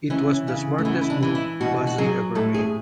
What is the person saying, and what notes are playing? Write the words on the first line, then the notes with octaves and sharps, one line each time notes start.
It was the smartest move Basie ever made.
E3 C#4
C#3
A3
E3 B3
E4
D4
E3
E4
B2 F#4
F#4
F#3 G#4
A2 A4
G#4